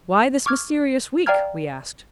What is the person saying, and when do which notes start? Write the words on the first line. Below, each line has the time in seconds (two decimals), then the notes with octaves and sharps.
"Why this mysterious week?" we asked.
0.46 C#6 D6 F6 G#6
1.26 D5 F5 G5 A#5 F6 G#6